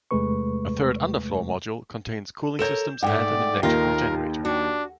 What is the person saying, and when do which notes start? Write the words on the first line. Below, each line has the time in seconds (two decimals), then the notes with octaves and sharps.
A third underfloor module contains cooling systems and an electrical generator.
0.11 E2 C3 G#3 A3 B4 C#6
2.59 A4 A#4 C#5 G6 E7
3.03 G#2 A3 D5 F#5 G5
3.63 D#2 D#3 F4 A#4 A#6
4.45 D4 F#4